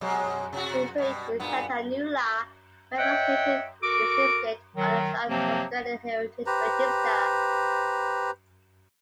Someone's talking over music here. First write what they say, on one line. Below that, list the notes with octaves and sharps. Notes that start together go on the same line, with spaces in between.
The historic Tantanoola railway station is listed on the South Australian Heritage Register.
B2 F#3 G#3
C3 F#4
B2 G3
G2 A#2 B3
C#5 D#5 E5 F#5 G5
F#4 A4 A#4 D6
D#3 F#3
C3 F3 F#3 A#3 C4
G4 B4 C5 A#5